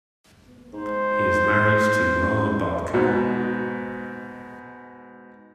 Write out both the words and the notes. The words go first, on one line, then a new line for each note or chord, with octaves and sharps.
He is married to Ma Barker.
G#2 C5
A1
G#2 B2